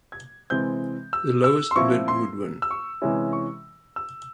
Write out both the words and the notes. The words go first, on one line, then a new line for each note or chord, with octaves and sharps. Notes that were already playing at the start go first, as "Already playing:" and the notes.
The lowest bid would win.
G#6
C3 E3 G#3 C4 G6
E6
E6
C6
A#2 F3 C4 E4 C#6
C6
E6
C#6
C3 E3 G#3 C#4 E4
C#6
E6